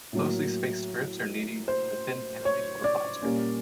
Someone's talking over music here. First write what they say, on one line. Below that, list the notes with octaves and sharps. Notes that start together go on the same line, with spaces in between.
Closely spaced strips are needed for thin panelling or plaster.
A2 F#3 A#3
C5
C#5
D5
A#2 G3 A#3 C#4